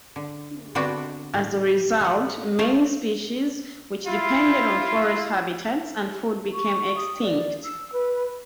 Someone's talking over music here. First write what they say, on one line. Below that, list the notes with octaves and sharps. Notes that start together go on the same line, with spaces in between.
As a result, many species which depended on forest habitats and food became extinct.
D3
D3 B3 C4 D4 F#4
A2
A3 F#5
A3 F4 C5
E4 F4
C#6
D#6
D5
E6
B4